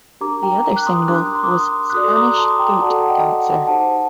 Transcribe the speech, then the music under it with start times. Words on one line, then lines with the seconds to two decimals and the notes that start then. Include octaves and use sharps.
The other single was "Spanish Goat Dancer".
0.21 D4 G4 A#4 A#5 D6
0.43 G5 A#5
0.65 A#5 D6
0.77 F#6
0.86 C6 D#6
1.08 D4 G4 A#4 D6 F#6
1.28 A#5
1.35 C6
1.44 D6
1.51 C6 D#6
1.90 F#6
1.94 F#4 A4 D5 C6 D#6
2.09 D#6
2.16 A#5 D6
2.33 D6
2.38 A5 C6
2.59 G5 A#5
2.81 F#4 A4 D5 F#5 A5
3.03 F#5
3.10 D#5 G5
3.39 F#5
3.67 D#4 G4 C5 F#5 A5